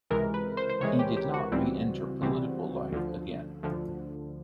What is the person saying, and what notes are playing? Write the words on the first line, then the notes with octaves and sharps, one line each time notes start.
He did not re-enter political life again.
C#2 C3 E3 G#3 A#4
B4
C5
C5
C#2 C3 E3 G#3 C#5
G4
G4
F#4
C#2 C#3 E3 G3 C4
C#2 C#3 E3 G3 C4
D2 D3 F3
D2 D3 F3